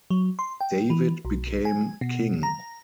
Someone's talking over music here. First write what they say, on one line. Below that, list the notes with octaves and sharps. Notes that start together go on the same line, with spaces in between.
David became king.
F#3
C6
G5
E3
B1
G#5
B2
A#5